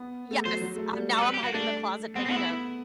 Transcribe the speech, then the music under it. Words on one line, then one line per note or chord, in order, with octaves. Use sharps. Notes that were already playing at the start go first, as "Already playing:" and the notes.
Yes, I'm now I'm hiding in the closet making a
Already playing: B3
A3
F#3 C5
F#3
A3
G3
A4
B4
G4
F#4
A3 D4
B3 C4
C4
B3 F#4
E4